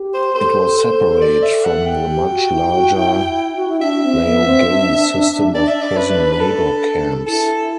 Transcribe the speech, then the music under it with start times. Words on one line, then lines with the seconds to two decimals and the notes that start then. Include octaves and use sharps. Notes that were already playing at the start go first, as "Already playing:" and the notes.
It was separate from the much larger "laogai" system of prison labor camps.
Already playing: G4
0.14 C5
0.35 A4 C5
0.78 C5
1.21 D5
1.43 E5
1.64 F#5
1.86 G5
2.09 G4
2.30 F#4
2.51 E4
2.73 F#4
2.95 E4
3.56 F#4
3.69 E4
3.81 D4 E5
4.03 C4
4.24 B3
4.46 C4
4.67 D4
5.55 D5
5.68 E5
5.82 D5
5.97 B4
6.32 B4
6.41 A4
7.27 E4 A4